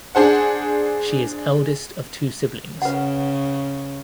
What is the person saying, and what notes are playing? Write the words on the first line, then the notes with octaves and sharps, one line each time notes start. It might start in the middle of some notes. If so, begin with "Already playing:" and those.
She is eldest of two siblings.
D4 G#4 C5 F#5
C#3 B4 F#5